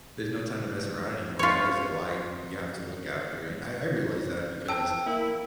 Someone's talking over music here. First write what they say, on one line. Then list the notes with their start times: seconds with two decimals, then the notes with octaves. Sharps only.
there's no time to mess around anymore, that is a life you have to look after, and I I realize that because
1.39 F4 C#5
4.68 G5 A5 E6
5.06 A#3 E4